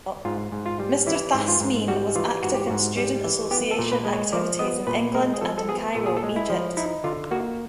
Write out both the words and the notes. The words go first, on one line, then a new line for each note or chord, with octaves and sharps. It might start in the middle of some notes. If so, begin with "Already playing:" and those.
Mr. Thasmeen was active in student association activities in England and in Cairo, Egypt.
G#2 F4
G#2
F4
G3
E3 E4
G#2
F4
G#2
G3 F#4
E3 F4
G#2 F#4
G4
G#2 F#4
G3
E3
B3 G4
A4
A#2
B4
G#3
C#5
F3 D5
B3 D#5
A#2 B4
G#3 A#4
G#4
F3 A4
A4
B3 G#4
A#2 A4
G#4
A4
G#3
E4
F3
D#4 E4
D3 F4
A#3 F#4